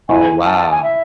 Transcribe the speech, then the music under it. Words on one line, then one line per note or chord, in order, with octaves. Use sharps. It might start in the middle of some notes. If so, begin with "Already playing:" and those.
Oh, wow.
E4 G#5
A5
A5
G#5
E5